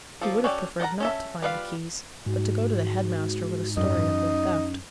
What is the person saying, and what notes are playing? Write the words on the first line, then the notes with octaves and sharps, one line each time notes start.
He would have preferred not to find the keys; but to go to the head-master with a story of their theft.
F3 A#3 F4 A4
C#4 F#4 A4 D5 G5
A4 A#4 D5 F#5 A#5
C#4 A4 E5
G3 F4 B4 E5 F5
G#2 F#4
F#2 C#4 D#4